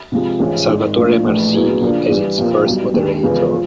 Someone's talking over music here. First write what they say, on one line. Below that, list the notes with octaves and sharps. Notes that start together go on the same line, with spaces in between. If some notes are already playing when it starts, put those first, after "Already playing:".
Salvatore Marsili as its first moderator.
C3 F3 G#3
A1 G#2 F3 G#3 C#4
G#1 G#2 D#3
A#2 F3 A3 D4
A#1 A2 E3 A3
A#2 F#3 B3 E4 G#4
C#3 F3 A#3 D4
G2 E3 G3
C2 A#2 F3 A#3
B1 B2 G3
D#2 D#3 G#3
E2 C#3 F3 G#3 B3
F3